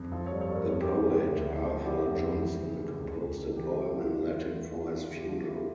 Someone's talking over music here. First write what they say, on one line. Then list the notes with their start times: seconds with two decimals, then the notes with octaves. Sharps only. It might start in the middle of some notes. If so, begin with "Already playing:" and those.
The poet Arthur Johnston composed a poem in Latin for his funeral.
Already playing: F2
0.12 F3 F4 A4
0.26 A4 C#5
0.32 G2
0.41 A4 C#5
0.50 G2 A#4
0.68 F2 C#5
0.81 G4 A#4
0.89 F2
1.08 C#3
1.27 D2
1.46 D2
1.65 F3
1.78 A4
1.84 D3 E4 G4
2.04 F2
2.23 F2
2.42 E3
2.61 C#3
2.80 C#3
2.99 C#2
3.18 C#2
3.37 C#2
3.56 E3 E4 G4
3.71 E3 E4
3.85 F4
3.95 E2
4.00 F4
4.14 E2
4.33 E3
4.52 E2
4.71 E2 F4
4.80 E4
4.91 E2
4.96 E4
5.10 C#3
5.17 G4
5.28 E2 F4
5.38 A4
5.48 E3 E4 G4